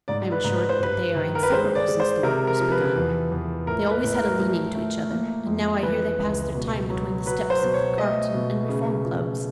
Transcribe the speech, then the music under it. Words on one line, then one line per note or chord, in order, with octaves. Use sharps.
"I am assured that they are inseparable since the work was begun. They always had a leaning to each other, and now I hear they pass their time between the steps of the Carlton and Reform Clubs."
G#2 D5
B4
G#2
B4
C5
G2 B4
D#3
A#4
B4
G#3 C5
D5
G#3
C5
C3 A#4
A#4
F3
B4
E2
E2
A2 A#4
B4
A2
A#4
F3
A3
A#3
F2
E3 B4
C#2
B2
F#3
F#3 B4
C5
B2
C#5
A3 D#5
B2
C#3
F3